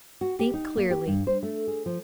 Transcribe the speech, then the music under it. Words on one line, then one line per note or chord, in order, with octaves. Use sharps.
Think clearly.
F#4
G4
D#4
A#3
G4
G2
C5
A3
G#4
F3